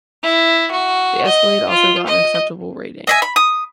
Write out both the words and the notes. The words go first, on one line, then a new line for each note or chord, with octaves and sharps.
The Escalade also got an Acceptable rating.
E4
F#4
D#5
F4
D#5
D#5 E5 G#5
B5
D#6